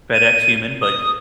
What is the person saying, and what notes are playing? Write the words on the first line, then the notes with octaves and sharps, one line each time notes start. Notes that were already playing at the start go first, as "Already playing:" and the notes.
FedEx human, but
D#7
D#6